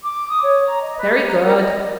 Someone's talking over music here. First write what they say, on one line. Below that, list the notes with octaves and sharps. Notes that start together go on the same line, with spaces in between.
Very good.
D6
D#6
C#5
A#5
D#5
B4
G4
A#5
A#4
D#5